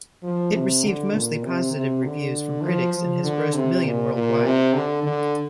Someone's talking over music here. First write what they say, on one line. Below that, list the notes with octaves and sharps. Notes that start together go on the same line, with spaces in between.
It received mostly positive reviews from critics and has grossed million worldwide.
F3
C3
D3
A#2
C3
C3
D3
F3
F3
D3
C3
A#2
A#2
C3
D3
D3